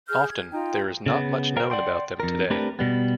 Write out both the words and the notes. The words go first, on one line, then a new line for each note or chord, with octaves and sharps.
Often, there is not much known about them today.
G#4 F6 G6
G#6
D#4 F4 G5
C#3 B3
A#4 C5 F5 G5 A#5
D5 F#5 G5 C6
F2 A#4
A3 C4 D4 G4 A#4 B4
B2 G3 B3